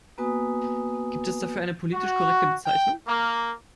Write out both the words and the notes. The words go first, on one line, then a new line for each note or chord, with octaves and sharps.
Gibt es dafür eine politisch korrekte Bezeichnung?
A#3 B3 F#4 B4 G#5 D#6
F#4
G5
A#3